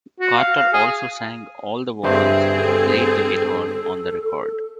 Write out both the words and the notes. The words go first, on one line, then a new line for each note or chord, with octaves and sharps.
Carter also sang all the vocals and played the guitar on the record.
F#4
F5
F5
G#4
G2 D3 C4 G#4 C5 E5
A4